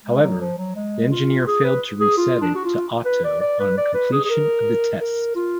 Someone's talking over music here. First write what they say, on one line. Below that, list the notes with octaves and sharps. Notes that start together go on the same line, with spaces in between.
However, the engineer failed to reset it to "auto" on completion of the test.
G#3
F#3
F3
F#3
G#3
F4
G#4
B4
G#4
F4
D4
F#4
F4
B4
D5
D5
B4
D5
B4
G#4
G#4
A#4
A#4
F4